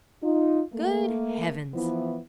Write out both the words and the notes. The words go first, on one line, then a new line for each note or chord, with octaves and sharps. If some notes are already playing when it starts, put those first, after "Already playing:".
"Good Heavens!"
D#4 F4
A3 A#3
E3 F3 B3 E4